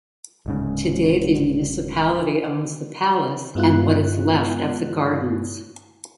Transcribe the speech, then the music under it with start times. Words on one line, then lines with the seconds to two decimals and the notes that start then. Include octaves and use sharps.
Today the municipality owns the palace and what is left of the gardens.
0.46 D1 G#2 C#3
3.55 G2 G#3 B3 E4 F4 F#6